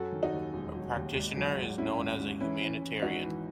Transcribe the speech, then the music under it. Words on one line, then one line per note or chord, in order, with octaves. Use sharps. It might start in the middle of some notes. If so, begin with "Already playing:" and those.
A practitioner is known as a humanitarian.
Already playing: F#2 F#3 F#4 A4
D#3
D#4 F#4
D#2
E1
F#3
D#2
G#1
F#3
G#2
F#3 C#4 E4
G#1
G#1
E3 C#4 E4
E3
E3
G#1 D#4 F#4
E3